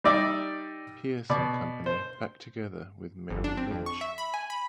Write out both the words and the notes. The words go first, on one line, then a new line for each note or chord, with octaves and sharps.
Pierce and Company back together with Merrill Lynch.
G3 D#4 D5 E5
B2 D5
C5
G1
D4
C4
F2
C#6
E5
B5
G#5
B5